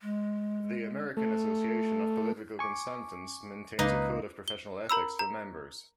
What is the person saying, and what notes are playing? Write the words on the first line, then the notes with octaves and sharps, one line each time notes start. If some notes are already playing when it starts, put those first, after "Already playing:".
The American Association of Political Consultants maintains a Code of Professional Ethics for members.
G#3
A3
G#5 C#6 D6
C#2 A#3 D#4 B4 A#5 D#6
G7
A#4 A#5 B5 E6
A#5